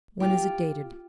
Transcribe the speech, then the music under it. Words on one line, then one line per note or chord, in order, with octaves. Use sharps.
When is it dated?
F4 G4